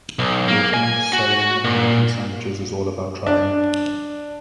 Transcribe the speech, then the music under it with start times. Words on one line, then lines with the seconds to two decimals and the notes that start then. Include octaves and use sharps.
Working, sewing and making sandwiches is all about trying.
0.19 B1
0.48 A#3
0.74 G#5
1.13 F#4
1.64 A#2
3.27 D4